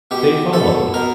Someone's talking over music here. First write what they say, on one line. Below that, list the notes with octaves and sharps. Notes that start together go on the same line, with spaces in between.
They followed.
B2 G4
B2 A4
B2 A#4